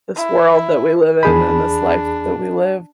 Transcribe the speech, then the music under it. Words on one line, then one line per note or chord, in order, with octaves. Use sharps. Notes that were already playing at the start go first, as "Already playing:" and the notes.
this world that we live in, and this life that we live.
E4
E2 D4 G#4 B5